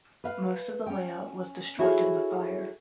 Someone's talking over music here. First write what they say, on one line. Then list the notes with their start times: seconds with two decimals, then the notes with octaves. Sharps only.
Most of the layout was destroyed in the fire.
0.24 B4 F5
0.86 C#4 G5
1.79 E4 F#4 G#4 A4 C5 C#5